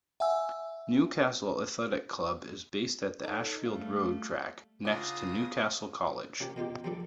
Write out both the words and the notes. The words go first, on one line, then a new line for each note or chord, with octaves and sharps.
Newcastle Athletic Club is based at the Ashfield Road track, next to Newcastle College.
E5 F#5 G#5 E6
D#4 A4 C#5
G3 A3 F5
C#3 D4 F4 F#4 D#6 A#6
C3 A#3 C#4 G4
B2 A#3 F4 G4
D#2 F3 G3 D4 A4